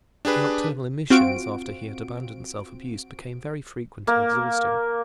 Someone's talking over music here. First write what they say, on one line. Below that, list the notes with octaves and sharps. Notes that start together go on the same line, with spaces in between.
The nocturnal emissions, after he had abandoned self-abuse, became very frequent and exhausting.
D4 G4 G#4 B4
C4 F4 F#4 D7
A#3